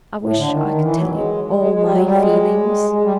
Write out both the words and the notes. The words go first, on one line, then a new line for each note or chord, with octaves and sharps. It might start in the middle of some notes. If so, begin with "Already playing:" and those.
I wish I could tell you all my feelings.
A2
D3
D#3
D#3
E3
F#3
G#3
G#3
G#3
G3
F#3
G3
G#3
G#3
G3